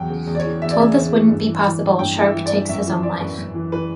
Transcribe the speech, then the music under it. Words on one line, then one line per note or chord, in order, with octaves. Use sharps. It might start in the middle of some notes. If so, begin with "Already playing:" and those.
Told this wouldn't be possible, Sharpe takes his own life.
Already playing: E2 F#3 G5
C#3
E2
D5
C#5
E3
E2 E5
D5
C#3 E5
E2
E3
G2
E3
E3
G2
G2 G5
E3
E5
E3
D5
G2
F#2 E5
E3
E3 D5
F#2 B4
F#2
E3
E3 B4